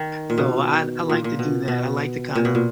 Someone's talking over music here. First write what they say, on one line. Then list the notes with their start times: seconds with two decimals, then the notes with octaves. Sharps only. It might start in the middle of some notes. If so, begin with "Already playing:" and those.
So, I d I like to do that, I like to kind of
Already playing: D#3
0.30 A#2
0.38 B2
1.09 A#2
1.24 A#2
1.39 B2
1.68 B2
2.35 A#2
2.45 B2
2.55 A#2